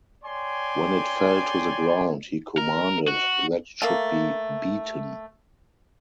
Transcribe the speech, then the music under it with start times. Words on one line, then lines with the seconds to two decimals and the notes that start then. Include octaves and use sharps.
When it fell to the ground he commanded that it should be beaten.
0.24 C#5 D5 G5 G#5 C6
2.58 A#4
3.08 F#4
3.82 A3 A#3